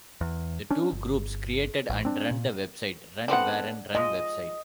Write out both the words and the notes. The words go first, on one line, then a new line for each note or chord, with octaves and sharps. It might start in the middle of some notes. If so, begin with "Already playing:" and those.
The two groups created and run the website, Run Warren Run website.
E2
C#4 D4
G1
A1
C4 D4
A#2
B3 C4 D4 A4 F#5
F3 G#3 D#5